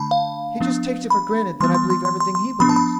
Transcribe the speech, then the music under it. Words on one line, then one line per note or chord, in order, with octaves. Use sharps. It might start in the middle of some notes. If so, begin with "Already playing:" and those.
He just takes it for granted that I believe everything he believes.
Already playing: D3 A3 D4 A5 B5
F5
F3 B3 D4
B5
E3 G3 B3 C6
C6
C6
C6
C6
C6
F3 B3 D4 B5
A5
B5